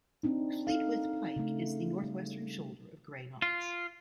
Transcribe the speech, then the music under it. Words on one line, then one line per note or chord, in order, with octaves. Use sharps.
Fleetwith Pike is the north-western shoulder of Grey Knotts.
C4 D4 D#4
D#4 A4 F5
C#3 A3
G3
F4